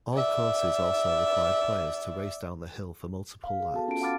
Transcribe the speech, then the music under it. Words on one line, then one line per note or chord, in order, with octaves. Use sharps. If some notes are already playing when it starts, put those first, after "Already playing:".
All courses also required players to race down the hill for multiple laps.
D5 E5
F5
G#4
B3 F#4 A4 A5
C#4 F4 F#4 A5 D7
F5 F#5 B5 D6 F6 A6